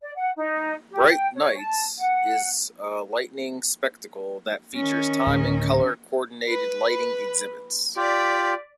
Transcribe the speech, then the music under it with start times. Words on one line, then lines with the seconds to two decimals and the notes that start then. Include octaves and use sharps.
Bright Nights is a lighting spectacle that features time and color coordinated lighting exhibits.
0.01 D5
0.16 F#5
0.37 D#4
0.91 G4
1.08 G5
1.35 C#5
1.57 A5
1.99 F#5
4.76 D#3 C#4
5.26 D1
6.48 B4
7.97 F4 G4 D5 B6